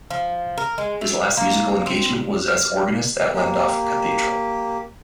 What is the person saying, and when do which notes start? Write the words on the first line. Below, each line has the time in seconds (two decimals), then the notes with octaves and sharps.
His last musical engagement was as organist at Llandaff Cathedral.
0.11 F3
0.58 A#4
0.78 G#3
1.01 A3
1.37 A#3
1.86 C4
2.48 F6
3.33 A#3 G4